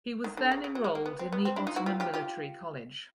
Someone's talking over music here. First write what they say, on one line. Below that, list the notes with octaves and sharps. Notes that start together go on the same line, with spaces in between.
He was then enrolled in the Ottoman Military College.
D#3
D3
C#3
C#3
F#3
G#3
A#3
B3
C4
B3
C4
D4 E4
D#4 F4
E4 F#4
F4 G4
F4 G4
F4 G4